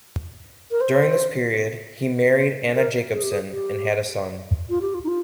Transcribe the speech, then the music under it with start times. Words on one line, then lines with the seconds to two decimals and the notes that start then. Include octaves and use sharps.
During this period, he married Anna Jacobsen and had a son.
0.71 A#4
0.81 C5
2.36 C5
2.76 A#4
3.14 G#4
3.22 G4
3.31 G#4
3.52 G4
4.70 F4
4.81 G4
4.94 F4
5.04 D#4
5.08 F4